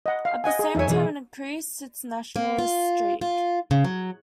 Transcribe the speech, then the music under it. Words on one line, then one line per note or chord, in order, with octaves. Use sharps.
At the same time, it increased its nationalist streak.
D#5 F#5
F5
D#5 F#5 G#5
G#4
E2 D#4 C#5 E5 G#5
B2 E3 G#4
A#3
F4
F4
C#3
F#3